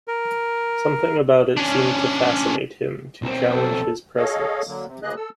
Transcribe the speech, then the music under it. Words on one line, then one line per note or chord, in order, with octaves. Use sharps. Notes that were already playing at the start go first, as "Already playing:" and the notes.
Something about it seemed to fascinate him, to challenge his presence.
A#4
C#4 D4
B1 C4
A4
G#4 A4 C#5 D#5 F5
D3 F#3 A#3
C3
D2 C#3 A#3 G#4 D#5 F#6
A4 E6